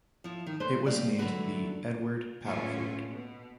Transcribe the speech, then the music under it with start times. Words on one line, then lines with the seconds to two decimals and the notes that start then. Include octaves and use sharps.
It was named the "Edward Padelford".
0.24 F3 E4
0.47 D#3
0.60 A3 D4 B4 C5
0.86 G3 A3 A#3 D5
1.18 D3 F#3 A3 D4 F#4 B4
2.45 A2 D3 A3 C#4 F4
3.08 B2